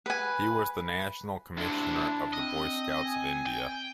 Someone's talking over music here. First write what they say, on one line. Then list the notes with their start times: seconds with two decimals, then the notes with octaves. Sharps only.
He was the National Commissioner of the Boy Scouts of India.
0.06 B4 G#5
1.57 D2 C3 D4 E4
2.33 C4 D#5
3.07 G#5
3.46 G5